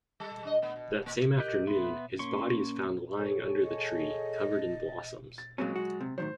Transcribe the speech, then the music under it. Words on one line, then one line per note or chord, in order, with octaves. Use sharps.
That same afternoon, his body is found lying under the tree, covered in blossoms.
G3 A4
G3 D4 D#5
A3 B3
B2
B2 A#3
G4 A#4 D#5 F#6 G6
B3 E5 B5 C6
A#3 C#4 C6 C#6
G#4 A4 C#5
D#5
A5
A6
A#2 F#3 G#3 C4 C#4
F#4
C3
A2 D#3 F#3 C5